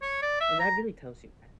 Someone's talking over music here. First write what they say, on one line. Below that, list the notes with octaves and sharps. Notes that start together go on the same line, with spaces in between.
and that really tells you that
C#5
D5
E5
A#5